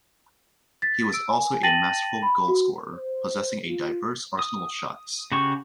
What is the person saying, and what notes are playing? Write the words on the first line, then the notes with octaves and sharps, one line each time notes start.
He was also a masterful goal scorer, possessing a diverse arsenal of shots.
A6 B6
E6 D7
G#5
G5 A5 A6 A#6 D#7 F#7
B5
F#4
C5
F4
D#6
C#3 F#4 G4 C#6